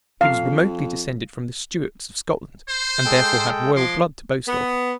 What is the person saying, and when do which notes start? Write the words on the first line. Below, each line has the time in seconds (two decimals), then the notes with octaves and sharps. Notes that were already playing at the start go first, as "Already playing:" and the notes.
He was remotely descended from the Stuarts of Scotland, and therefore had royal blood to boast of.
0.21 F2 F5
2.69 C5
3.05 G#3 A4 G5
3.76 F3 G#3 C6 D6
4.47 B3